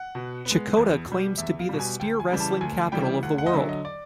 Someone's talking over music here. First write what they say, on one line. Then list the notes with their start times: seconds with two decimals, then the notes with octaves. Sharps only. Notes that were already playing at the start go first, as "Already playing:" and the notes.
Checotah claims to be the steer wrestling capital of the world.
Already playing: F#5
0.15 B2
0.46 G#3 B3
0.77 E2
1.07 B2 G3
1.38 E2 E5
1.59 F5
1.69 B2 G3
1.80 G#5
2.00 D2 G5
2.20 G#5
2.30 C#3 E3 G3
2.40 A5
2.61 D2 G#5
2.92 C#3 E3 G3 G5
3.23 D2 F#5
3.38 F#5
3.47 D#5
3.53 D3 F#3 E5
3.69 D#5
3.85 D5